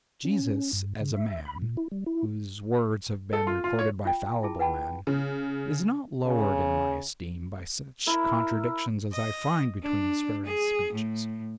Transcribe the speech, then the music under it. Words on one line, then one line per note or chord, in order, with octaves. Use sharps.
Jesus as a man, whose words have been recorded by fallible men, is not lowered in my esteem by such contradictions as I find between his various speeches.
C#4
G2
C#3
E5
B5
A#2
E4
G3
E4
A4
F4
F4
C#5
F4 G5
E4 F4 G#4 A5
B4 F#5 G5 A5 B5
C#3
C#3
E4 A#4
D#5
D4
G#4
A2